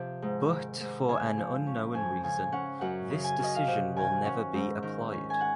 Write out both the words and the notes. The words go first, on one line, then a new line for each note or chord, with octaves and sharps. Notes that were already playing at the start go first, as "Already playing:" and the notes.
But for an unknown reason, this decision will never be applied.
Already playing: C3 F3
G#2
D#3
G#2
C#3 G#5
F3
C#4
F2 G#5
C#3 G#5
C#4 F#5
F#2 F#5
C#3
G#5
F#2 D#5
F5
C3 F#5
D#3 G#5
C#4 F#5
G#2
D#3
C#4
G#5
F#5